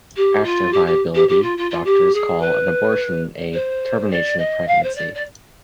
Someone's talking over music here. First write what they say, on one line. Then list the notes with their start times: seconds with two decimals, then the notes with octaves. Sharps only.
After viability, doctors call an abortion a "termination of pregnancy".
0.16 G4
0.44 F4
0.73 G4
0.87 G4
1.15 G4
1.29 G4
1.42 F4
1.57 F4
1.71 F4
1.85 G4
2.14 G#4
2.41 B4
3.54 C5
4.11 D5
4.38 D#5
4.68 F5
4.83 C5
4.96 D5
5.14 D5